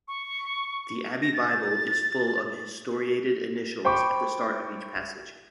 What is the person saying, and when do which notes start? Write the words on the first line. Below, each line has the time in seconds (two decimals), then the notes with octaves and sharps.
The Abbey Bible is full of historiated initials at the start of each passage.
0.08 C#6
1.22 A#6
1.34 A6
3.85 C5 G5 B5 C#6 D6